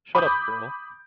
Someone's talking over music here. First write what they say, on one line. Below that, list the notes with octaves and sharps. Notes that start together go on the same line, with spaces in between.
Shut up, girl!
B5 D6 D#6 G6